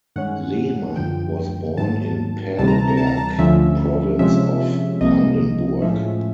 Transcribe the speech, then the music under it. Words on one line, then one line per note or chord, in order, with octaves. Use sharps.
Lehmann was born in Perleberg, Province of Brandenburg.
G2 D#3 G#3 C#4 F#5
F#2 D3 F3 G5
G#2 D#3 F#3 A5
D2 C3 E3 G3 C4 A5
A#5
A5
A#5
A5
A#5
A5
D2 D3 F3 A3 C#4 E5
C3 F3 G#3 C#4 E5
C2 C3 F3 A#3 D#5
A2 F3 G#3 C#4 E5